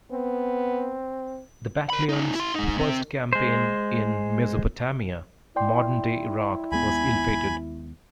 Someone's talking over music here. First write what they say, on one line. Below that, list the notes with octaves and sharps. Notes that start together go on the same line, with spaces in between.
The Battalion's first campaign in Mesopotamia, modern day Iraq, was ill-fated.
B3 C4
A#4 B5
C#4 D#4
E4 C6
G#2 D#4
C3 C4
G#3 C5
E4 D5 G5 C6
D#2 G#3 B3 G#5 B5